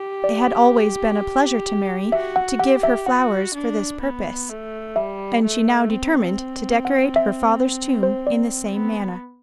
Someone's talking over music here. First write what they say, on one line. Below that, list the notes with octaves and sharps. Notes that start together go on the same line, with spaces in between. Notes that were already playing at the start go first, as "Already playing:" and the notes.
It had always been a pleasure to Mary to give her flowers for this purpose, and she now determined to decorate her father's tomb in the same manner.
Already playing: G4
D5
F#4 E5
F#5
G4 F#5
E5
F#4 F#5
D4
B3
A3
G3 E5
A3
C4
F#5
E5
C5
D5
B3